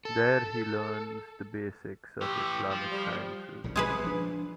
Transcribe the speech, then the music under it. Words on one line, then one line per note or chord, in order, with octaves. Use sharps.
There he learns the basics of Islamic sciences.
A4
A2 E3 G4
F3
G3
A#1 A2 C#3
G#3 G#4 B4
C3
F3 D4